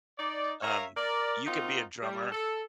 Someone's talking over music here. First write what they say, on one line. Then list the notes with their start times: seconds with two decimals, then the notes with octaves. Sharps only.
Um, you could be a drummer,
0.18 D#4 D5
0.63 A#4 C#5 E5 F5 A#5
0.97 A#4 D5
1.46 C4 D#4 F4 F#4 A#4
2.03 G3
2.32 A4